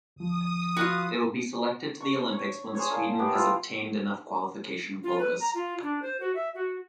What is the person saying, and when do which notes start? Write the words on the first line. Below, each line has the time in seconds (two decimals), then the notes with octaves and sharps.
They will be selected to the Olympics once Sweden has obtained enough qualification quotas.
0.16 D2 F3 D#6
0.77 F4 F#4 B4 F5
2.01 C#6
2.32 C#5
2.75 G#4 C5 C#5
2.90 A#4 F5 A5 C6
3.18 B3 G4
3.32 E4 F4
5.03 F4
5.19 B4
5.40 A#5
5.54 F4
5.83 D4
6.02 C5
6.20 F#4
6.35 E5
6.54 F#4